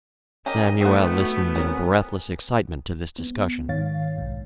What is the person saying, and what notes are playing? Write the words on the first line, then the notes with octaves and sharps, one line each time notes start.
Samuel listened in breathless excitement to this discussion.
C#4 G4 A#4 D#5
A3 B3 C4 D#4 A4 C5 F#5
F#4
C4 C#4 G#4 A#4 G#5
B3
G#2 D#3 C#5 F5 A6
B1 G#2